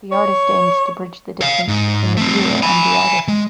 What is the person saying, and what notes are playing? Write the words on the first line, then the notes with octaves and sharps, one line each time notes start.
The artist aims to bridge the distance between the viewer and the artist.
C#5
C#5 F5
G#2
A3 C4
G#5 B5
G#3